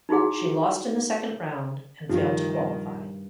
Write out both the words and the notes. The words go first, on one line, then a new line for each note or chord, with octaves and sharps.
She lost in the second round and failed to qualify.
D#4 E4 F#4 G#4 F#5
G2 D#3 F3 G4